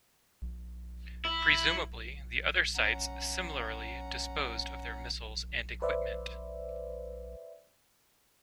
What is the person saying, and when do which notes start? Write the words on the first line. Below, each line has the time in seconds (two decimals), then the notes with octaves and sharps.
Presumably, the other sites similarly disposed of their missiles and equipment.
1.25 E4
2.74 C#4 F#5 A#5
5.82 B4 C5 D5 E5